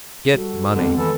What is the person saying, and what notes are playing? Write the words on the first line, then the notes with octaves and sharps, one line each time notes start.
Get money!
G3 F#4 A4
F2 D3 F#3 G#3 B3
D#3 E3 A4